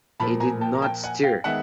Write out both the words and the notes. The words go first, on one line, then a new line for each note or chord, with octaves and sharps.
He did not stir.
A#2 F3 A#3 A5 B5
G#5 A#5
G5 A5
A#5
G5 A5
F#5 G#5
F5 G5
D#3 G#3 B3 E5 F#5